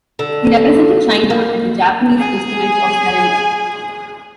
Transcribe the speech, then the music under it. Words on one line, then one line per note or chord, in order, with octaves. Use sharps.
He represented China at the Japanese Instrument of Surrender.
D3
A#3
G#4 G#5